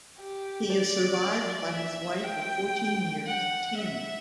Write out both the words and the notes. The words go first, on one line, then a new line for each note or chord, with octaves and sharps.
He is survived by his wife of fourteen years, Tammy.
G4
D5
E5
G5
F#5
E5